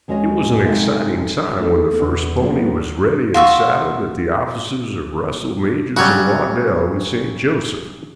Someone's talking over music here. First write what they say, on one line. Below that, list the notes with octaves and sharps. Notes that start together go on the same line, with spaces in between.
It was an exciting time when the first pony was ready and saddled at the offices of Russell, Majors & Waddell, in St. Joseph.
D#2 G#3 C#4 F#4 C#5 D#5
C3 G#3 D#4 F4 A4 A#4
A3 D#4 A4
E2
A2 F#3 A#3 B3 F4 D5
F4 F#4 E5 C#6
C#3 F#3 G3 F#4 C#5